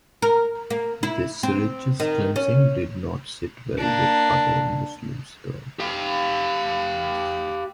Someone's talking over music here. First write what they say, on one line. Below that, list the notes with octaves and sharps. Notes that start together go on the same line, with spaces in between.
This religious cleansing did not sit well with other Muslims though.
A#4
A#3
E4
C4
D#3
C#4
A#3 D4
G4 F5